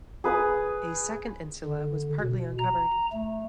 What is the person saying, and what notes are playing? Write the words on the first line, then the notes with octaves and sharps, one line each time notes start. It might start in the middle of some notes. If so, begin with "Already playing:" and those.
A second insula was partly uncovered.
G#4 B4 G#5 D#6
D3
B2
A#5
A3